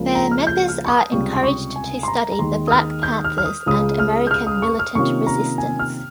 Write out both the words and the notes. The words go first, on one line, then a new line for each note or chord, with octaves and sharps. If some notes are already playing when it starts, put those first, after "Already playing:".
Their members are encouraged to study the Black Panthers and American Militant Resistance.
Already playing: C#2 C#3 F3 A#3
A#5
F6
G6
F6
C#6
D#6
C#2 C3 G3 C#6
C6
C#6
G#5
C6
A#5
A#5
D#2 D#3 G#3 C6
D#6
F6
G6
F6
F6
D#6
C#2 C#3 G#3 D#6
F6
G6
F6
D#6
C#6
F6
C3 D#3 A#3 C#4 F4 C#6
A#5
G#5
F6